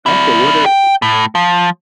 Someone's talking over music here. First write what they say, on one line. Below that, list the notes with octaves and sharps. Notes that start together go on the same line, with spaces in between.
Okay, what are
E4 D5
G5
A2
F3